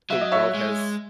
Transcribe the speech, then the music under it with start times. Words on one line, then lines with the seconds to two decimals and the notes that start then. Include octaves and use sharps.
the world has,
0.10 F#3 E5
0.21 D#5
0.32 C#5 E5
0.54 G#3